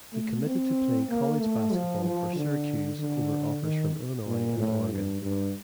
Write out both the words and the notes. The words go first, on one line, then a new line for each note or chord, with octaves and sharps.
He committed to playing college basketball for Syracuse over offers from Illinois and Oregon.
A3
C4
A#3
A3
F3
F3
D3
D3
D#3
A#2
A2
G2
G2